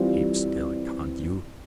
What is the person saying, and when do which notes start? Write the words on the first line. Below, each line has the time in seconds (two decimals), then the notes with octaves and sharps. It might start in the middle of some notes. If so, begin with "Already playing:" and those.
"Keep still, can't you?"
Already playing: E3 G3 C4 F4